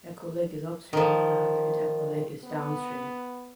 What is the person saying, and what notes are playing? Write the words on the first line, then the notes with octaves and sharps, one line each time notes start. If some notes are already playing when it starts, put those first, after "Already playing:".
Echo Lake is upstream and Katepwa Lake is downstream.
D#3 F3
B3